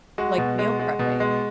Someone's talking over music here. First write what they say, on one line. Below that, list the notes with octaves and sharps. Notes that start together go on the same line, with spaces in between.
Like, meal prepping.
G#3 F#4
B2
G#3
G#3
B2
G#3